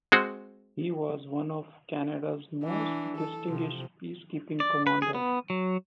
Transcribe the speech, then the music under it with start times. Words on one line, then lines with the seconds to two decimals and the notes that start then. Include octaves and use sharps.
He was one of Canada's most distinguished peacekeeping commanders.
0.12 G#3 C4 F#4
2.64 E3 D4
3.17 A4
3.48 C3 F3
4.60 D5
4.87 B4
5.02 G#4
5.15 B3
5.50 F#3